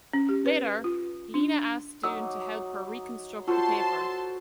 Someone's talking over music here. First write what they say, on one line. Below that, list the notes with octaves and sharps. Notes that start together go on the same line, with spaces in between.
Later, Lina asks Doon to help her reconstruct the paper.
C#4
G4
B4
F4
D4
F#3 D#4 D6 E6
F4 F#4 A4 C5 A5 C6